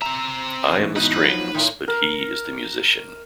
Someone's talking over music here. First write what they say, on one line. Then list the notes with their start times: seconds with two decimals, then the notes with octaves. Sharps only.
I am the strings, but he is the musician.
0.02 C4 E5 A#5
0.78 A2 E3
0.96 G#2 B2 E3 D#4 B4
1.18 F3 F#3
1.55 A2 D#3
1.88 A#4